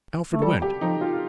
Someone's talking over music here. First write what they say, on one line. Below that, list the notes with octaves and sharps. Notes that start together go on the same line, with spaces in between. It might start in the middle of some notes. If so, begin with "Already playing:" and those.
Alfred went.
A3
G3 A4
G4
F3 D#4
F4